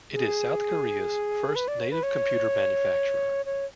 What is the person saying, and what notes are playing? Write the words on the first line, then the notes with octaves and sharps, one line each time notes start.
It is South Korea's first native computer manufacturer.
G#4
B4
D5
C#5
B4
C#5
C#5